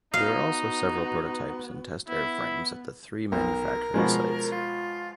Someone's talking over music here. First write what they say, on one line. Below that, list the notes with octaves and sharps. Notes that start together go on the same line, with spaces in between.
There are also several prototypes and test airframes at the three manufacturing sites.
B3 D#4 F#4 F5
B3 E4
B1 A#4
B2 F3 G#3
F4